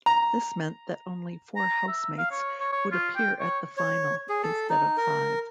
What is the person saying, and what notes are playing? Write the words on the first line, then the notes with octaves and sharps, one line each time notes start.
This meant that only four Housemates would appear at the final, instead of five.
A#5
A#5
E5
F5
C#5
C#5
C#5
F4
G5
C#5
C#5
G#4
A4
D#4
A#4